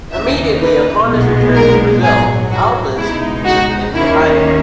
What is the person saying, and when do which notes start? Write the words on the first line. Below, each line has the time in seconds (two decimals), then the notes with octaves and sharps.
Immediately upon his return to Brazil, Alves went into hiding.
0.12 D#2 C#3 E3 A#3 D#4 E5
0.59 B4
1.07 B1 A#2 G#3 B3
1.55 A#4
2.02 A#1 G#2 F#3 G#4
2.50 F#4
2.98 C#2 B2 G#3 D#4 E4
3.45 F#4
3.93 D#2 D#3 A#3 C#4 E4